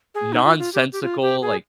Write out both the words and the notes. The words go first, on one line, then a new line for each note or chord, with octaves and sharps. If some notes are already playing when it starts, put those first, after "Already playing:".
nonsensical, like
G#4
D#4
F4
F4
G4
G4
F4
G4
G#4